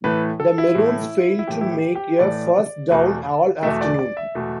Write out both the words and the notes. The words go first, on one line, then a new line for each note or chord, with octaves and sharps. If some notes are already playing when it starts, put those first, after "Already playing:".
The Maroons failed to make a first down all afternoon.
A2 E3 A3 B4
A4
E4
A2 E3 A3
E4
A2 E3 A3 G4
E4
G4
G4
A2 E3 A3 D5
E2 B2 A3
E2 B2 A3 E5
D5
D5
E5
E2 B2 A3